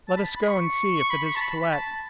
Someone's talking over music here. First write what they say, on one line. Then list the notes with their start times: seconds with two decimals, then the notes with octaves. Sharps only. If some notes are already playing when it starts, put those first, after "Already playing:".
"Let us go and see if it is to let."
0.08 A5
0.17 B5
0.37 B5
0.48 C#6
1.00 C#6
1.10 B5
1.26 C#6
1.35 A5
1.41 B5
1.57 B5
1.73 A5